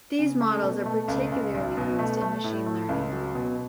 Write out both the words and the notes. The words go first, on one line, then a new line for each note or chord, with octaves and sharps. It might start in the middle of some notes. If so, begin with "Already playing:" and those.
These models are particularly used in machine learning.
C#3
A3
B2
A3
C#2
C#2
B1
B2
A3
A3
A2
A3
C#2
F#3
B2